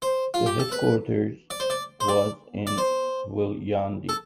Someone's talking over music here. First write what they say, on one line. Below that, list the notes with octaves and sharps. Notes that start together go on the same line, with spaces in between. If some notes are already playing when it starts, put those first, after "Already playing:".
The headquarters was in Viljandi.
C5
F4
G4
A4
B4
D5
C5
D5
C5
D5
D5
C5
A4